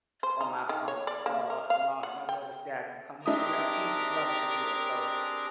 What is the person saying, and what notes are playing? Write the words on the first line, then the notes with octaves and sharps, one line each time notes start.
Or my, um, uh, um, my my daughter's daddy will come over. "You have" he loves tequila. So
C5
D#4
D#3
C#5
D5
A#3
A#4
F5
F#5
G5
C4 D4 D#4 G4 G#4 A#4 E5 D#6